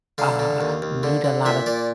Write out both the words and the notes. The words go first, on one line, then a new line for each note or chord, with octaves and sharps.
uh, meet a lot of
D3 F5
D3
D#2
D#2
D3
D3
A#2 E5
A#2 D5